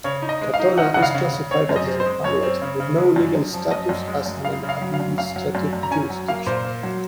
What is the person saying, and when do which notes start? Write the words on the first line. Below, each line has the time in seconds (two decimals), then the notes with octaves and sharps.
Katonah is classified as a hamlet, with no legal status as an administrative jurisdiction.
0.04 C#3 C#5
0.22 D#4
0.29 D#5
0.41 G#3
0.54 F5
0.60 D#4
0.77 D#4 F#5
0.94 C#3 F#5
1.03 F5
1.14 C#3
1.33 C#3
1.51 C4 C#5
1.69 F#2
1.76 D#5
1.87 C4
2.00 C5
2.06 G#3
2.24 F#2 C#5
2.43 C4
2.62 C#3
2.80 C#3
2.98 G#3
3.16 F#2
3.35 F#2
3.53 F3
3.71 F#2 D#5
3.89 F#2
4.07 G#3
4.26 F#2
4.45 C#3 F5
4.63 C#3
4.69 F5
4.82 F#3
4.94 F5
5.00 F#2
5.18 F#2 F5
5.36 F#3
5.55 F#2
5.73 F#2
5.83 A#5
5.91 C#4 G#5
6.10 F#3
6.28 A#3 F5
6.46 A#2 C5
6.65 A#3
6.83 F#3